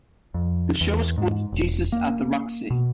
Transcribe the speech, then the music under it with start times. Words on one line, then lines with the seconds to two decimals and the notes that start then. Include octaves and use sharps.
The show was called "Jesus At the Roxy".
0.34 F2
0.81 E2
1.18 G#2
1.53 E1
1.92 A#3
2.70 B2